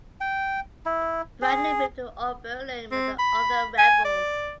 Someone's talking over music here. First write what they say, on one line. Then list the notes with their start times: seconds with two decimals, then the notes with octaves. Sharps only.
Bradley moved to Oberlin with the other Rebels.
0.21 G5
0.86 E4
1.42 G#4
2.92 C4
3.19 B5
3.78 G#5
4.05 D5